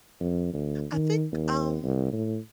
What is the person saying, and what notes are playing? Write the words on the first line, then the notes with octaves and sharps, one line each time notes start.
I think um,
F2
D2
D#3
D#2
C2
A2